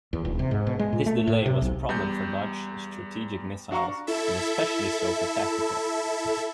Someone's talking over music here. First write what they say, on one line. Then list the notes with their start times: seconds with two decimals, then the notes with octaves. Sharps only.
This delay was a problem for large strategic missiles, but especially so for tactical.
0.13 E2
0.25 D#1
0.39 C3
0.51 G#2
0.67 B2
0.79 G#3
0.93 A#2
1.06 A3
1.27 A2
1.46 C3
1.62 B1
1.89 E2 G3 G6
3.71 D4 F#4 F5 A#5 C#6
4.07 E4 A4 E5